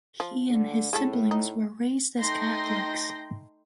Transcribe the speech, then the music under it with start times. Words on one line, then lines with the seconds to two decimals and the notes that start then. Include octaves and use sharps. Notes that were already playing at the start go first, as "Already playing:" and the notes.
He and his siblings were raised as Catholics.
0.20 F3
0.49 D3
0.93 A2 G#3 A3 A4
1.31 D#4
2.19 A3 D#4 G5 C6 G6 A#6